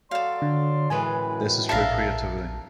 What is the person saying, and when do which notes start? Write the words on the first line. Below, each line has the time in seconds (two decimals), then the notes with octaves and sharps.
This is true creativity.
0.11 F#3 A4 D5 F5 C6
0.42 D3
0.90 F#2 A2 E3 G#3 B4 G#5
1.69 A#1 D4 A4 A#4 E5 F5 A5